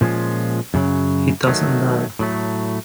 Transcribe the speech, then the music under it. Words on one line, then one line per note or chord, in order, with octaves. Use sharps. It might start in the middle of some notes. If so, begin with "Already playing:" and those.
He doesn't know.
A#2 F3 G#3 C#4 F4
F#2 C#3 F#3
D#3 F#3 A3
A2 F#3 A3